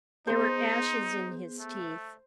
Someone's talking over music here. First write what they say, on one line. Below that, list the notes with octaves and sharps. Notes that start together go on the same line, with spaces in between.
There were ashes in his teeth.
B3 D#4 G#4 C5
A3